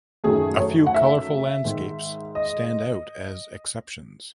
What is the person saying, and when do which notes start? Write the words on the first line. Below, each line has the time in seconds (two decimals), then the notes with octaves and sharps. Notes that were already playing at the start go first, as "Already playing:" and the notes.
A few colorful landscapes stand out as exceptions.
0.24 F#2 D#3 F#3 A3 G#4
0.59 C#5
0.86 F#5
0.94 E5
1.65 G#2 D#3 G#3
2.35 D#5